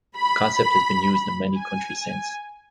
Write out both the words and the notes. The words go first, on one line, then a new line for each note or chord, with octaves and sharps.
The concept has been used in many countries since.
B5
G#5